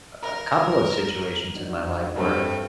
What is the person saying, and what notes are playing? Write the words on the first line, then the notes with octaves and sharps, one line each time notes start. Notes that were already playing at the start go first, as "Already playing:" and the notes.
a a couple of situations in my life where
A#4 A#5
D4 D#4 F#4
G2 A3 C4 G5